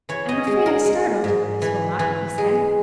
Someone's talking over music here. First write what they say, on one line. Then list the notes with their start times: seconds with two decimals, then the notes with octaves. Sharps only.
"I am afraid I startled you, Miss Wilmot," he said.
0.09 E3 C#5
0.29 D#5
0.47 G#3
0.66 A#4
0.85 G#3
1.24 G#2
1.62 E3
1.99 E3
2.38 G#3